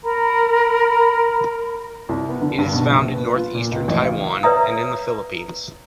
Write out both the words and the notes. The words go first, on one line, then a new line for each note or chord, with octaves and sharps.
It is found in north-eastern Taiwan, and in the Philippines.
A#4 A#5 B5
C2
B3
D3
G2
B2
A#1
B4
F4
A#2
C#2
A1
F5
B4 C#5 D5 E5 A#5 D#6